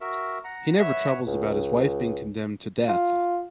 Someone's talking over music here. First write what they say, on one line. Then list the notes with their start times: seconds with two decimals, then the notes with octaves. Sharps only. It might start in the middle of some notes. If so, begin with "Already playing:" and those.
He never troubles about his wife being condemned to death.
0.01 F#4 A#4 E5
0.44 F#5 A#5
0.80 B4 C#5 E5 F#5
1.27 C#2
2.88 F4